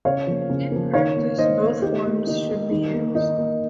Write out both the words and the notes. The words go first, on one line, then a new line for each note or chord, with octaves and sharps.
In practice, both forms should be used.
C#3 C#5 F5
F3 A#3
C#3
F3 A#3
D#3 C#5 F5
A#3
D#3 C5 D#5
A#3
D#3 D#4 G4
A#3
D#3 D#4
A#3
D#3
A#3
D#3 D#4
A#3